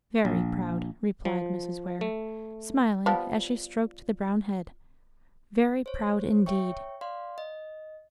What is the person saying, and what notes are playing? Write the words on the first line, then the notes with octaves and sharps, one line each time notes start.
"Very proud," replied Mrs. Ware, smiling as she stroked the brown head,--"very proud, indeed."
A#1
F3
A3
F3 G3 B3
C5 C#5
C#5 E5 G5 C#6
D5 F5 C6
D#5